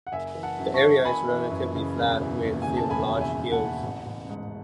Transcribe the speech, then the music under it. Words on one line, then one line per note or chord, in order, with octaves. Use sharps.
The area is relatively flat, with few large hills.
F#5
F#1 E5 G#5
E3
F#5 A5
F#2
A5 C#6
C#3
F#1 G#5 B5
E3
F#2
C#3
E1
E3
D#2
G#5
C#3
A5
E1 G#5 B5
E3
E5 G#5
D#2
F#5 A5
C#3
A1
A1
G#2